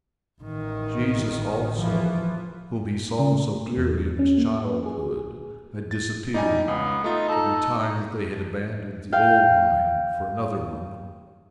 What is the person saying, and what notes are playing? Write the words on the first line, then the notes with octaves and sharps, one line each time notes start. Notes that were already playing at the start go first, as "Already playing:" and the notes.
Jesus also, Whom he saw so clearly in his childhood, had disappeared from the time that they had abandoned the old mine for another one.
A1 D#3
E3 F3
C#3
A3
E2
C#4
A#3
B4
G#4
A6
G3 D#4 D#5 G#5
C#2 B3
A3 D#4 F4
D#4 A4 A#5
F5 G5